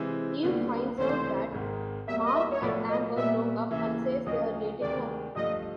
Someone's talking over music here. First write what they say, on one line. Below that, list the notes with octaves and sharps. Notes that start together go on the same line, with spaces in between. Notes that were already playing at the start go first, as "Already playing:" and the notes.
Eve finds out that Mark and Amber broke up and says they're dating now.
Already playing: C3 E3 G#3 C4 E4
D#2 D3 G3 B3
C#2 C3 E3 A3 C4 C5
G#1 G#2 D#3
E2 B2 G3 A#3 E5
D#5
E5
C#5
B1 A2 F3 A3 D5
D#5
A#2 G3 B3 E5
D#2 C#3 E3 E5
D2 C#3 F3 D#5
D2 C3 D#3 G#3 D5
G2 D3 F3 A3 D#5